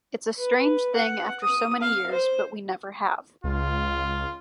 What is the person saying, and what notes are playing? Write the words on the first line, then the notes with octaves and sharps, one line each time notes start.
It's a strange thing after so many years but we never have.
B4
F#5
D#6
F5
C5
C#2 F4